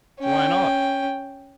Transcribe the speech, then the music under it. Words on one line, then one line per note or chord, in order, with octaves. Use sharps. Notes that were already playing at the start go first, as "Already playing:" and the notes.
"Why not?"
C#4 G5